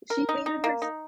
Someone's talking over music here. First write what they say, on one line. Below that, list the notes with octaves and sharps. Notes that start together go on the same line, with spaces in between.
She hated her s
A#4
D#4
D#4
A#3
D#4